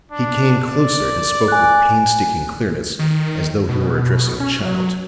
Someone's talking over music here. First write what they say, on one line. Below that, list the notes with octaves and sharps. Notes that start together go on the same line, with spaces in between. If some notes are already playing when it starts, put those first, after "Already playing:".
He came closer and spoke with painstaking clearness, as though he were addressing a child.
D4
D5
G#5 F#6
D#3
B2
C#4
F#3